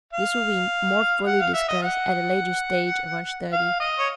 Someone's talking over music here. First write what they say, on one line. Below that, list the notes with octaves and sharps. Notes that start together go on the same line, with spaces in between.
This will be more fully discussed at a later stage of our study.
F5
F#5
F5
E5
D#5
F#5
F5
D#5
C#5